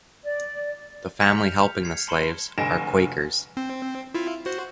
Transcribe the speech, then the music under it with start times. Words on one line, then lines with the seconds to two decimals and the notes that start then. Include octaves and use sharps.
The family helping the slaves are Quakers.
0.25 D5
1.20 F6 G6 B6 C#7
1.35 F7
1.83 G#6 C7 C#7
2.08 A5 B5 C6 C#7 E7 G7
2.58 F1 D3 G#5 A#6 D7 E7
3.57 C4
4.14 E4 F4
4.46 F#4 C5